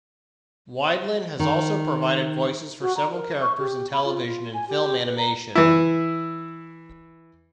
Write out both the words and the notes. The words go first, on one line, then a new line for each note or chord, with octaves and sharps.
Wiedlin has also provided voices for several characters in television and film animation.
D#3
F#4
A#5
A#4
C#6
G4
B5
F4
F4
G#5
G4
B4
A#5
E3 E4